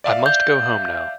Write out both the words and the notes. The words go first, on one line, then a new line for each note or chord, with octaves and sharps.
I must go home now.
D5 E5 F5
G6